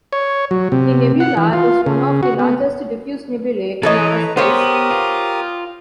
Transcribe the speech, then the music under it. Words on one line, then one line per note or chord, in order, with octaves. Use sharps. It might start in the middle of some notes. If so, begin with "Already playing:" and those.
The nebula is one of the largest diffuse nebulae in our skies.
C#5
F#3
C3
F#5
E3
F4
C#3
F#4
B3
E3 A4 B4 C#5 D#5 A#5
B3 G4 A#4 C5 C#5 D#6
F4